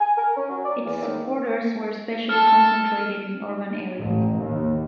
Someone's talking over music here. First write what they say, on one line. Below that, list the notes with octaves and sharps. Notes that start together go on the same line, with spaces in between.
Its supporters were especially concentrated in urban areas.
G#5
A#4
C#4
F#3
D5
E2
D#2
A4 A5 F6
A1
D#2